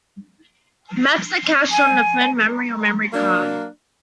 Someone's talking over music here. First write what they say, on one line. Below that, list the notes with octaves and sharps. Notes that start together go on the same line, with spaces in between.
Maps are cached on the phone memory or memorycard.
G#5
F#3 A#3 D4